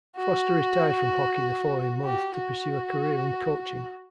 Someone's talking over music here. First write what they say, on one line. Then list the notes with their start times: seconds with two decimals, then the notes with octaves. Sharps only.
Foster retired from hockey the following month to pursue a career in coaching.
0.16 F#4
2.05 G4
2.36 F#4